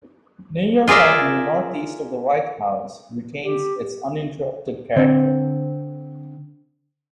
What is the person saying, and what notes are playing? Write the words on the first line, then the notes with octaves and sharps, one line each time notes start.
New York Avenue northeast of the White House retains its uninterrupted character.
F4 G#4 A#4 D5 E5
G4
D3 C4